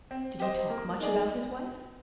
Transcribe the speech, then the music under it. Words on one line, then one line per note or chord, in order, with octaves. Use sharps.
"Did he talk much about his wife?"
C4
G4 C5 D#5
A#3
D#4 G#4 D5